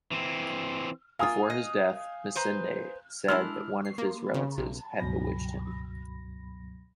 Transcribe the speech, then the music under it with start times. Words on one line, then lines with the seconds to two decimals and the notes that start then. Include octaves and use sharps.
Before his death, Masinde said that one of his relatives had bewitched him.
0.11 E3 C4
1.19 A#3 F4 F5 G#5 D#6
1.50 D#5
2.36 B4 C5 A#5
3.28 G#3 D4 E4 E6 F6
3.85 C7
3.98 A#3
4.34 C#3
4.58 B1
4.99 C#2 G2 B2 F#3 B5 A#6